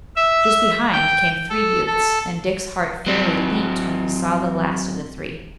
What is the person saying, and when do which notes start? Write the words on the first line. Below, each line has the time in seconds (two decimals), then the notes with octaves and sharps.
Just behind came three youths, and Dick's heart fairly leaped when he saw the last of the three.
0.16 E5
0.93 G5
1.50 A4
1.87 A4
3.06 F#3 C4